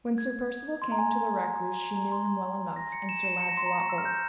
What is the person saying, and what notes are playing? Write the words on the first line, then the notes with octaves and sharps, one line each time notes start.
When Sir Percivale came to the recluse she knew him well enough, and Sir Launcelot both.
G#6
C6
A#5
G#5
G#5
A#5
C6
A#6
C#7
E7
E7
C#7
A#6
C6
A#5
C6
C#6
E6
F6
G6